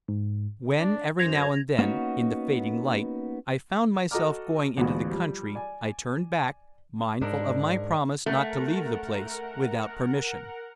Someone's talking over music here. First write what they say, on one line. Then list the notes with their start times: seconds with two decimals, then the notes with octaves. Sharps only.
When, every now and then, in the fading light, I found myself going into the country I turned back, mindful of my promise not to leave the place without permission.
0.08 G#2
0.79 D4 D5
1.19 F#2 C5 G#6 A#6 F7
1.79 A#3 B3 C#4 D#4 F#4
4.11 F#4 A4 D#5 A#5 D6 F6
4.77 A1 D2 G#2 B3 F4 F#4
5.11 F3 G3
5.55 D5 G#5
7.21 G#2 D4 A#4
8.26 A3 A#4 F#5 A#5